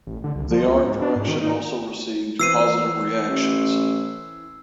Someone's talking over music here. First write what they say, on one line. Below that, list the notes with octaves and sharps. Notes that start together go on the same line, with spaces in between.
The art direction also received positive reactions.
A1
D3
C2
F3
C#2
G#2
D4
G#2
D#3
D#4
E3 C4 E6 C7 D#7
A1